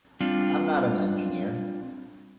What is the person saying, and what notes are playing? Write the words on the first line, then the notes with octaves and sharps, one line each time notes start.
I'm not an engineer.
G3 C4 D4 F4